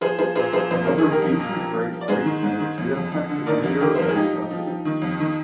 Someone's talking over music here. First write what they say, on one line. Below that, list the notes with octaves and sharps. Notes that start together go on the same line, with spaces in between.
Another beetle breaks free and the two attack the Mayor and Buffy.
F3 G#4 C5
F3 G#4 C5
A#2 G#4 C5
F3 G#4 C5
F2 C5
F2 A#4
G#4
D#3
G4 A#4
F2
A#2
F3
F3
F3
D5
G#2 G#4 C5
D#3
G#2
D#3
F2
F2
F2
D3
D#3 A#4 D5
F2
D#3 G4 A#4
C5
F2 A#4
G#4
F3 D#4 G4
F3
F3
F3
D#3
F2
D#3